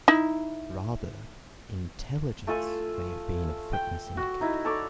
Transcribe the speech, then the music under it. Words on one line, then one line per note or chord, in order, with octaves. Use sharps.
Rather, intelligence may have been a fitness indicator.
D#4 E4
A3 F4 A4 G#5
G5
F#4
D#4 E4
A4 C#5 D5